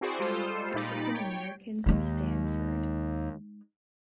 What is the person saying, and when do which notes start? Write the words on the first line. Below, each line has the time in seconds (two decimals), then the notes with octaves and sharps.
African Americans of Sanford.
0.01 C4 E4 F#4 G#4 C5 D5
0.19 G3 G#3 F4 A4 C5
0.74 A#2 G3 D#4 B5 D6 A6
1.14 C#5 G5
1.86 D#2 G#3 D#4